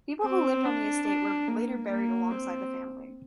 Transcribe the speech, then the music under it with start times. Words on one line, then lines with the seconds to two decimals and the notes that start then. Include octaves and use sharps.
People who lived on the estate were later buried alongside the family.
0.23 C4
0.65 D4
1.07 D4
1.48 A#3
1.90 A#3
2.31 C4